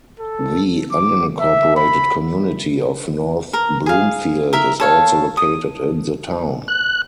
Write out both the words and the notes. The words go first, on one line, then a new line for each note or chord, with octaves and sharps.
The unincorporated community of North Bloomfield is also located in the town.
A4
D6
E5
B5
A#4
G#4 F5
A#4 E5
A4 C#5 F5
D#6
F#6